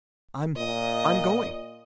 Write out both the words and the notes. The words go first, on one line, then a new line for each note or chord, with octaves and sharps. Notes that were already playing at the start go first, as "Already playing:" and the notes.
I'm--I'm going!
A#2 D#5